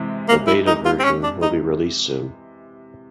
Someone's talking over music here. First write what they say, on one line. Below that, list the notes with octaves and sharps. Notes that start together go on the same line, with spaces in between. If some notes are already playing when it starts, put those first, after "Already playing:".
The Beta version will be released soon.
Already playing: C3 E3 G#3
A#3
E4
D#4
F4
C4
C#4
D4
D#4